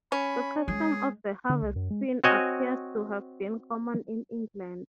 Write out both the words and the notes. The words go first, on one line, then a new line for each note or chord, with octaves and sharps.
The custom of the Harvest Queen appears to have been common in England.
C#4 B5
G#3 G#4
D3
C2
F#2
G#3
C4 F#4 C#5 D#5 G#5